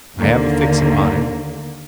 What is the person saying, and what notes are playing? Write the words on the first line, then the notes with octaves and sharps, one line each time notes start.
I have a fix upon him.
D#2 D3 A#3